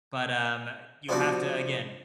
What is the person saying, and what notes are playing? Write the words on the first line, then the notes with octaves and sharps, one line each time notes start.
But, um, you have to again,
F3 G3 B3 C4 D4 F#4